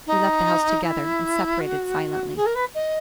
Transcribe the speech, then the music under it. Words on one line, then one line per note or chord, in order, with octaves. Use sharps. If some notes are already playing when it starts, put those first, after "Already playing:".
We left the house together, and separated silently.
D#4
E4
F#4
G#4
A#4
B4
D#5